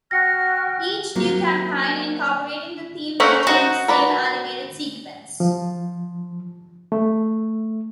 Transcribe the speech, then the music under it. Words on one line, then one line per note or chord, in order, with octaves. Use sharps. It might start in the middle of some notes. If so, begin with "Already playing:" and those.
Each new campaign incorporating the theme retained the same animated sequence.
F#4 G5 F6 A#6 C#7
F#3 A#3 C4
A3 A#3 C#4 A#4 C5 F#5
D#4 F#4 C5
A#4 B4 D5
F3
A3